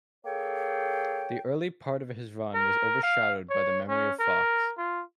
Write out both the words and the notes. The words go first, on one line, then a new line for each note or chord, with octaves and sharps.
The early part of his run was overshadowed by the memory of Fox.
A#3 G#4 A4 C#5 G5
A#4
F5
C#5
C#4
A#4
F4